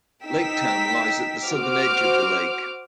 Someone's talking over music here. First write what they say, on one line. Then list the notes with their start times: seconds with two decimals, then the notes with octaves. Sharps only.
Laketown lies at the southern edge of the lake.
0.23 D#4 G5 E6 B6
1.45 F#4 C5 D6 F6